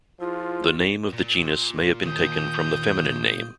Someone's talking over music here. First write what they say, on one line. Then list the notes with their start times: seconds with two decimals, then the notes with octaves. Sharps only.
The name of the genus may have been taken from the feminine name.
0.20 F3 E4 F4 G#4
1.13 A#2
2.05 D#2 D#6 G6